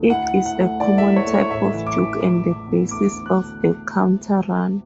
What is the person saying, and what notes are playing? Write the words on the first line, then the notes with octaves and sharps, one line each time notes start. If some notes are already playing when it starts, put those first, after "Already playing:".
It is a common type of juke and the basis of the counter run.
Already playing: D2
E4 F#5
E4
F#5
A3
E4 D5
E5
E4
C#5
A3
C#5
A1 E5
E3
D6
E3
E3 D6
E3
B3
D2 D6
D2
F#6